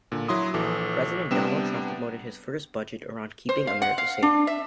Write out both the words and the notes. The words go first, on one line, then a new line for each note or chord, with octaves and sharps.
President Donald Trump promoted his first budget around keeping America safe.
A#2 D3
F#3 E4 C6 D#6
A#1 E3 A4 D6
C3 G3 B3 D4 G5 E7
C5
F5
F#5
F5
D4
E5